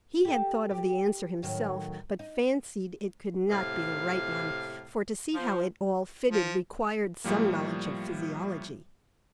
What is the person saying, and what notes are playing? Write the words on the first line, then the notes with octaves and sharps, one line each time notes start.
He had thought of the answer himself, but fancied it could not be the right one, for to see how it all fitted required some knowledge of physiology.
G4 A4
G4
A2 D#3 F#3
D#4
A2 C3 F5
F3
F3
A2 F3 G3 A#3